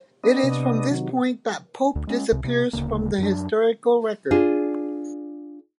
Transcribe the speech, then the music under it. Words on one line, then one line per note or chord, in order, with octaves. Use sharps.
It is from this point that Pope disappears from the historical record.
B3 D4 D#5
C3
D#3 F#3
D2
G#3 C#4
C2 C3
C3
D1 D2 C#3 A#3
F#2 F#3 D4
D4 F4 G#4